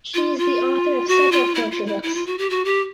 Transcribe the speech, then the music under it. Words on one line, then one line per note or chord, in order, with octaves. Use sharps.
She is the author of several poetry books.
F4
F4
F#4
F4
E4
F4
E4
E4
F4
F#4
G4
F#4
G4